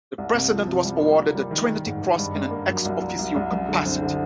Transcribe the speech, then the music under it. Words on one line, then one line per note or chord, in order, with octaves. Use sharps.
The President was awarded the Trinity Cross in an "ex officio" capacity.
C2
C3
F3
C3
G3
A#3
A#3
G3
D#3
D#3
G#2
D#3
G2
G2
A#3
F#3
C2
C2
C2
C2
F#2
D3
C4
D3